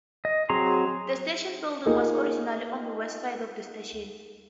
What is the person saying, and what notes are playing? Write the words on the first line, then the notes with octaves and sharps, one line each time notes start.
The station building was originally on the west side of the station.
D#5
F#3 C4 G#4 A#5 C6
A#3 D#4 F4 G4 G#4 A#4